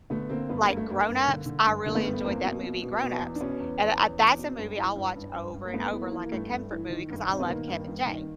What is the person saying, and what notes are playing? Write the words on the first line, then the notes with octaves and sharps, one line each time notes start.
Like, Grown Ups, I really enjoyed that movie, Grown Ups. And I that's a movie I'll watch over and over like a comfort movie 'cause I love Kevin James.
D3 A3 B3
D3 A#3 C4
G2 B3
A#3
G2
A3
G2 A#3
G2
D3
D3
G2
D3 A#3
A3 B3
G2
E2 A#3 C4
B2
B2
B2
B2
E2
D4
B2 B3 C#4
E2
E2
E2
E2
B2
G2
E3
G2
G2
G2
G2
A#3
G2 A3 B3
E3
A#3
E3
A#3
G2 A3
G2
E3
D#3
G2
D#3 C4
B3
D#3 A#3
G2
G2
D#3